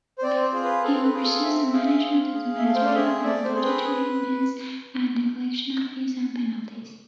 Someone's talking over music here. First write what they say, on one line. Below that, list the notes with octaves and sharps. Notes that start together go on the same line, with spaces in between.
He oversees the management of the material and budgetary means and the collection of fees and penalties.
C5
C4 D5
C5
F4 G#4
B4
C4 A4
B4
F4 G#4
A4
C4 E5
G#4 F5
E5
F5
C4
G#4
E5
A3 F5
C5
D5
C4 G#4 E5
A3 D5
C5
C4 G#4
B4